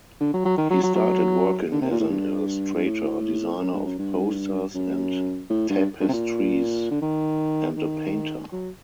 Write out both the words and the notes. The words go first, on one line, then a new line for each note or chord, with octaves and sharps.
He started working as an illustrator, designer of posters and tapestries and a painter.
D3
F#3
F#3
D#3
F#3
F#3
F#3
D3
C3
A#2
A2
G2
G2
A2
F#2
G2
F#2
G2
F#2
A2
G2
G2
C3
A#2
D3
D#3
D#3
F#3